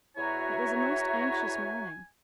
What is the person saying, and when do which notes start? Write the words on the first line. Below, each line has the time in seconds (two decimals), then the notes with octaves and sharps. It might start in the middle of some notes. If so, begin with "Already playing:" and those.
It was a most anxious morning.
0.17 E2 E4 F#4 C#5 E5 G#5 A#5